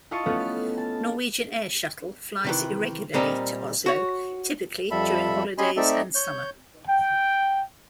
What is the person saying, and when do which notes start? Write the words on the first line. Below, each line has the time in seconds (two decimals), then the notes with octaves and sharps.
Norwegian Air Shuttle flies irregularly to Oslo, typically during holidays and summer.
0.11 E4 F4 D#5 F5 A5 C#6
0.26 A3 B3 C#4 F4
0.78 A5
2.44 C3 D#3 E3
3.14 A#2 G3 C4 D#4 A#4
3.86 F#4 C#5
4.91 F2 F3 G3 A4 E5 B5
5.58 C#4 G4 D#5 G#5 B5 C6
5.77 A3 C4 D#4 A4 D5 E5
6.15 C#5 G6
6.89 G5